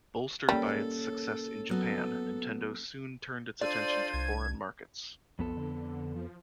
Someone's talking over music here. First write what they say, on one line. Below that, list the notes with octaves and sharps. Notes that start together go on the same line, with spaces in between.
Bolstered by its success in Japan, Nintendo soon turned its attention to foreign markets.
G3 A#3 C#4 A4
F#3 B3 A4
D4 F4 A4 C5 D5 D#7
C2 G#6
B1 F2 B3 A4
D3
F3